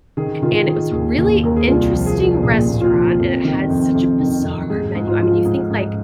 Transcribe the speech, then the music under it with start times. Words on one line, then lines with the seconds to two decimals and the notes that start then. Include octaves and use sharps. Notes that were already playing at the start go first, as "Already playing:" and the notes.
and it was a really interesting restaurant and it had such a bizarre menu, I mean, you think, like
0.17 D#3 G#4
0.42 D#3 F4
0.67 D#3 G#4
0.92 D#2 G#4
1.18 D#2
1.43 D#2 A#4
1.56 G#4
1.68 C2 F4
1.93 F3
2.06 G#4
2.18 F3
2.43 A#2 G#4
2.69 A#2
2.81 F4
2.93 F3
3.19 F2
3.44 D#3
3.70 F2
3.95 F2
4.20 D#3
4.44 F2
4.69 G#2 G#4
4.95 G#2
5.07 F4
5.20 F3 F4
5.46 G#2
5.71 G#2